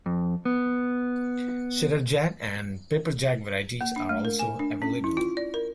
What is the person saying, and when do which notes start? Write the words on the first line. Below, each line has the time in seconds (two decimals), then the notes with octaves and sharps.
Cheddar-Jack and Pepper Jack varieties are also available.
0.06 F2
0.45 B3
3.81 A#3
3.96 D4
4.09 A3
4.25 A#4
4.39 G#5
4.59 D4
4.82 C#4
5.04 E4
5.17 F4
5.37 D5
5.54 A#4